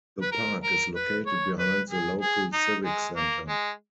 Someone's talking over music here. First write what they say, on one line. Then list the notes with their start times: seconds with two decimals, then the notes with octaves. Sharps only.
The park is located behind the local Civic Center.
0.21 B4
0.32 A#4
0.63 A#4
0.95 B4
1.26 C#5
1.58 B4
1.90 G#4
2.21 G#4
2.53 D#4
2.85 G#3
3.16 A#3
3.48 G#3